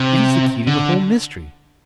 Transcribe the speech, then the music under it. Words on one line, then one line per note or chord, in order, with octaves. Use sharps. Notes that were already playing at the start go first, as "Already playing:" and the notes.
It is the key to the whole mystery.
Already playing: C3
D3